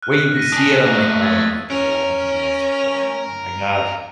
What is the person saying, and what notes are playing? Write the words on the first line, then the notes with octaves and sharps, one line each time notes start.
Wait, you can see it on the oh, on, like, the horizon, now that's wild, oh my gosh.
F6 F#6
A#6 B6 D#7
D4 G#5 D#6
A3 A#3
E6 G#6 A6
C#4 A#4